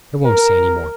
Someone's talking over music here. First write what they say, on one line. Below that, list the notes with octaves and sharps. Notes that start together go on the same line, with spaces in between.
I won't say any more.
A#4